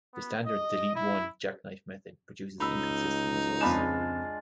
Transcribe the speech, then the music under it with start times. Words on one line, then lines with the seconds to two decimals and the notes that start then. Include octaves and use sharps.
The standard 'delete one' jackknife method produces inconsistent results.
0.14 B3
0.46 D#5
0.95 E4
2.60 C#2 D#4 B5 E6
3.61 F2 G#3 D4 F4 B5 E7